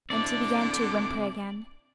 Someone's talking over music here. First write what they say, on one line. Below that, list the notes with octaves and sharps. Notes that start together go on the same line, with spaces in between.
And he began to whimper again.
D3 C4 D4 E4 D5 D6